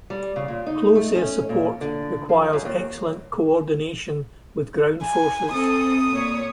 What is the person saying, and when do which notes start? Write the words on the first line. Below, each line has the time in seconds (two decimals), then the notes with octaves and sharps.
Close air support requires excellent coordination with ground forces.
0.10 G3
0.36 C#3
0.48 A#2
0.66 D#4
0.95 A3
1.15 C#4
1.49 A#2
1.81 D3
2.29 F3
2.53 F#2
2.65 D#2
5.03 G#5
5.52 C4 A4 D#6
6.11 A#2 C#5